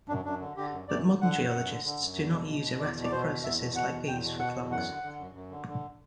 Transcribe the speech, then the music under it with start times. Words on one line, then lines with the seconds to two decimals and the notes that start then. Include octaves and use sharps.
But modern geologists do not use erratic processes like these for clocks.
0.08 F#2 D4
0.25 F#2 D4
0.40 D3
0.57 D3 G4
0.72 F#2
0.88 F#2 D5
1.04 D3
1.20 D3 F#5
1.36 F#2
1.52 F#2
1.69 D3
1.84 D3
2.00 F#2
2.16 E2
2.32 B2
2.48 B2
2.64 E2
2.80 E2 D5
2.96 B2
3.04 D5
3.11 B2 C5
3.27 E2
3.43 E2 E5
3.60 B2
3.76 B2 F#5
3.92 E2
4.07 E2 G5
4.24 B2
4.39 B2 F#5
4.55 E2
4.71 F#2 F#5
4.87 D3
5.03 D3
5.18 F#2
5.35 F#2
5.51 D3
5.67 D3